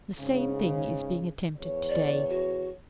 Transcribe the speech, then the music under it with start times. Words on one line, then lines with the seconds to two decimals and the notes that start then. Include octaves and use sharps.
The same thing is being attempted to-day.
0.19 G#2 C#3
1.58 E2 C#5
1.89 D5
2.29 F#4